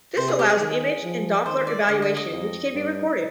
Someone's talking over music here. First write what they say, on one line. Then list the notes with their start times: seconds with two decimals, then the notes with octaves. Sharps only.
This allows image and Doppler evaluation which can be recorded.
0.17 C3 C5
0.28 G#4
0.39 G4
0.50 G#4
0.60 D#3
1.03 F3
1.45 D#3 C5
1.67 D5
1.88 D3 D#5
2.02 D#5
2.17 D#5
2.31 F2
2.73 G2